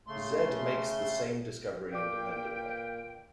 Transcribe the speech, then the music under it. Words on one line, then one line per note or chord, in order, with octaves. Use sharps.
Zedd makes the same discovery independently.
C#3 A3 C6
A#2 A4 B4 D5 F5 G5 D6